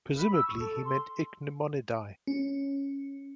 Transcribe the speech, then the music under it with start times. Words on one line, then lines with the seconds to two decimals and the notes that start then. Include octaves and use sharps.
Presumably he meant Ichneumonidae.
0.15 B5
0.33 E6
0.46 C#6
0.60 A4
0.84 C6
2.27 C#4